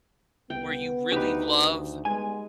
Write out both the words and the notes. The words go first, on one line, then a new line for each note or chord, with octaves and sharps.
where you really love
C2 B3 G5
D2 D#4 G4 B4
G3 G#3 B3 G#5